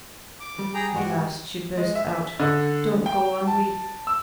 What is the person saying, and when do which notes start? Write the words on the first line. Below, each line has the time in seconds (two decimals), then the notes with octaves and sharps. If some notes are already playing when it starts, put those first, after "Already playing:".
At last, she burst out 'Don't go on reading.
0.40 D6
0.59 G3
0.74 G#4 G5 A#5
0.95 G2 G#3 F#4 G4
1.77 G#3
1.95 E5
2.40 D3
3.06 G5
3.47 A5
4.07 E6